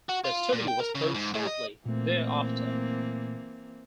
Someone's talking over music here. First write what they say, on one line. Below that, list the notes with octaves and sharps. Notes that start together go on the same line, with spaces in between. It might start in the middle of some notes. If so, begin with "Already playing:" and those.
The studio was closed shortly thereafter.
F#4
F4
A#2
G5
A#4
C#3
G#2
A2
D#5
A#2 E3 A3 A#3 C4